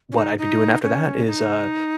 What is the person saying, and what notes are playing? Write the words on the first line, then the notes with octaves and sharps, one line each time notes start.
What I'd be doing after that is, uh
C#4
D#4
D#4
C#4
D#4